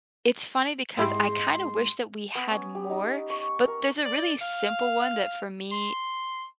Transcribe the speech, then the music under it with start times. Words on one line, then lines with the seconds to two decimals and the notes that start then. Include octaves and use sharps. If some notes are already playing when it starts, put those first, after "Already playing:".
it's funny because I kinda wish that we had more, but there's a really simple one that for me,
0.97 G#2 G#3 A#3 C4 E4 G4 C6
2.35 B3
2.51 C#4
2.75 G4
2.90 D#4
3.30 C#6
3.68 A#4
4.05 D5
4.41 F5
5.71 C6